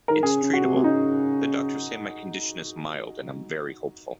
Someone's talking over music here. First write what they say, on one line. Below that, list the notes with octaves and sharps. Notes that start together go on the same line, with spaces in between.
It's treatable - the doctors say my condition is mild and I'm very hopeful.
D#3 A#4
C#3 G#4
C#3
F#4
C3
C3
C#3 D#4